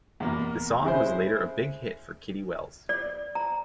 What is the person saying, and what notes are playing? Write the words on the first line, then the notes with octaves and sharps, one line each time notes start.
The song was later a big hit for Kitty Wells.
E2 B2 A#3
C#3 G#3 E4 G#4 C5
D5
A#5